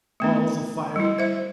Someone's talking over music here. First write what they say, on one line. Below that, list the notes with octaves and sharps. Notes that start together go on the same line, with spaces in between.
Balls of fire?
A3 B3 D4
G3 E4
C5 E5